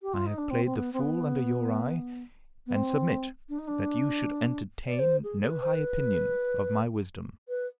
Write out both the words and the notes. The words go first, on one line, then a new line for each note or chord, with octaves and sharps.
I have played the fool under your eye, and submit that you should entertain no high opinion of my wisdom.
G4
F4
D#4
D4
C4
C4
B3
C4
B3
B3
C4
D4
D#4
D4
D5
C5
G#4
G#4
B4
C5
B4
B4